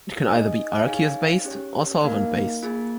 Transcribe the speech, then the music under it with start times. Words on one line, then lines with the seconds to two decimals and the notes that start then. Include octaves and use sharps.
It can be either aqueous based or solvent-based.
0.27 D#4 G#4 D#5 G#5
0.85 D#4 G#4 C#5 F5 G#5
1.45 C#4 G4 C#5
2.04 A#3 D#4 A#4 F5
2.63 A#3 F4 G#4